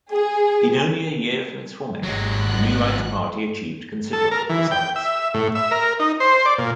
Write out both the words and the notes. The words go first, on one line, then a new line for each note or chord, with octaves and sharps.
In only a year from its formation, the New Rights Party achieved considerable results.
G#4
G#1 F#3 G#3 F#6
A4
A#4
E3
G5
E5
A2
E5
A#4
D#4
C5
D5
A#2